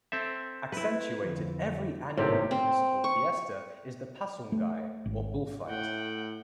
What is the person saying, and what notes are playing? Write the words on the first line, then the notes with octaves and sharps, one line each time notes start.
Accentuated every annual municipal fiesta is the "Pasungay" or bull fight.
C4 A4 E5
E4 B4
F2 D3 F3
G#1 A2 C3 G4 A#4
C4
C#6
A3
G#1
A2 F#5 G5